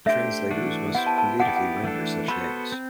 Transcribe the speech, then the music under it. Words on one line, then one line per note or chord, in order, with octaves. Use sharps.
Translators must creatively render such names.
A3 D4 G4 C5 E5
E3 A3 D4 F#4
B3 E4 G4 C5 F#5
A5
A5
B3 E4 G4 D5 F#5
G5
F#5
E3 A3 D4 A4
B3 F#4 A4 C5 B5
C4